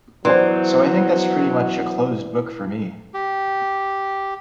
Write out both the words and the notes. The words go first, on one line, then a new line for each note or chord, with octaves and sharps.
So I think that's pretty much a closed book for me.
E3 F#3 B3 C5 D5 C6
G4